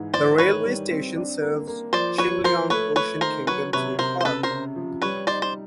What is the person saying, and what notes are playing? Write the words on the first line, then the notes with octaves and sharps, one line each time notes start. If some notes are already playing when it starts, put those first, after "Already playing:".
The railway station serves the Chimelong Ocean Kingdom theme park.
Already playing: G#2 E3
E3 C5 D5
D#3 B4 C#5
G3
C4
D4
A#3
A#3
F3 C5 D5
F3 B4 C#5
F3 A#4 C5
A3 B4 C#5
A3 B4 C#5
D#3 A#4 C5
F#3 B4 C#5
C3 B4 C#5
C3 A#4 C5
C5
C#3 A4 B4
A#4 C5
C#3
F3
G3 B4 C#5
D#4 C5 D5
C5